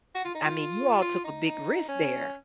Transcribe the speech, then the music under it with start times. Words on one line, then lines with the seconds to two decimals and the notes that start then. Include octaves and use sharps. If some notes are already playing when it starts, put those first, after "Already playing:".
I mean, you all took a big risk there.
0.15 F#4
0.25 F4
0.35 D#4
0.44 F4
1.02 F4
1.25 D#4
1.46 D#4
1.89 C#4